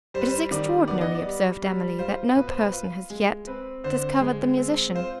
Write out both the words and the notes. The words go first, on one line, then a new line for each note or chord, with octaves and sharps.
'It is extraordinary,' observed Emily, 'that no person has yet discovered the musician.'
G3 C5
B4
C5
D#3 D5
B3 D5
D#5
D5
G3
G3
F4 C5
B2 B4
C5
B4
F4
G#3
C4 B4
D3 C5
G#3
C4
F4 C5